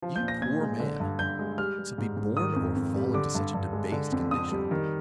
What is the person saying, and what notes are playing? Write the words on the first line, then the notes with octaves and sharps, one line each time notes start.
You poor man, to be born or fall into such a debased condition.
F3
G6
A#2
A#6
A#2 G#6
G#3
D3
G2
G2 G6
G#3
G3 F6
G3
G#2
G#2
D#3 D#6
F2
F2
G3
D3 D6
G2
G2
G#3
D3
F2
F2 D#6
G3
D#3